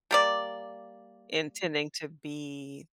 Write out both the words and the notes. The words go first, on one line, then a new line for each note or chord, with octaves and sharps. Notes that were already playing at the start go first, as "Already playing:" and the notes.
intending to be
G3 A#3 D5